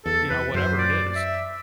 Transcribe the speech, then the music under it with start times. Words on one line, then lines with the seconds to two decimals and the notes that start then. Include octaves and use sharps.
you know, whatever it is.
0.05 E2 A4
0.29 E2 B4
0.54 F#2 C5
0.78 D5
1.16 E5